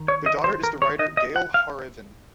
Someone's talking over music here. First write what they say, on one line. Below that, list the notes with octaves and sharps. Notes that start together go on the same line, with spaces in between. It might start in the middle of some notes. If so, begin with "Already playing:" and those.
Their daughter is the writer Gail Hareven.
Already playing: D#3
C#5
D#5
C5
A#4
C#5
D#5
D#5
F#5
F5